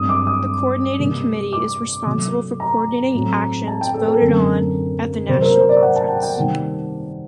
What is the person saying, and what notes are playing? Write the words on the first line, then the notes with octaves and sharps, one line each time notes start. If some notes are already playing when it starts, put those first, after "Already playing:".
The coordinating committee is responsible for coordinating actions voted on at the national conference.
Already playing: G2 F#3 A3 C4 D#6
D6
D#6
C3 G3 A#3
D6
C3 F#3 A3
A#5
A2 F#3 A3 C4
A5
G5
A4
A#4
F#2 D3 F#3 A3 C4
C3 F#3 A#3 C5
A#4
C5
D5
F#5
A5
G5
G5
C3 D#3 G3 A#3